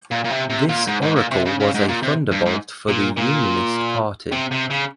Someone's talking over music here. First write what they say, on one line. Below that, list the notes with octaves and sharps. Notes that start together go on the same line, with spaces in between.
This oracle was a thunderbolt for the unionist party.
A#2
A#2
C3
C3
A#2
G#2
G#2
A#2
C3
C#3
C#3
G#2
A#2
C3
G2
G#2
A#2
A#2
C3
C3
C#3